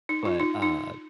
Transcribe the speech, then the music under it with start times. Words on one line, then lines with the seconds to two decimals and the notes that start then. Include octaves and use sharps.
But, uh,
0.09 D#4
0.25 F4
0.40 D#4
0.62 D#4